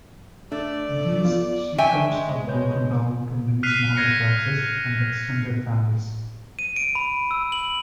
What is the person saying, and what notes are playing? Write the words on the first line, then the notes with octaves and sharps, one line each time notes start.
These sheikhdoms are broken down to many smaller branches and extended families.
A3 D4 D5
B3 F4
D4 E5 G5 G#5 C#6
G#3
G#3 B4 C#5 G6
F6 F#6 B6 C7 D#7 F7
F#6 G#6 A#6 C#7 D#7
D#7
D7
B5
E6
F#7